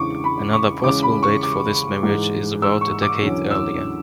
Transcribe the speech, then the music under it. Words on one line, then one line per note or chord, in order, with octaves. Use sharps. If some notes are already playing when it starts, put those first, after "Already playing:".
Another possible date for this marriage is about a decade earlier.
Already playing: E2 C#3 G#3 D4 C#6 D6
B5
C#6
E2 C#3 G#3 C#4 D6
B5
C#6
D6
G#2 E3 G#3
E6
C#6
D6
E2 D3 F#3 C#4
E6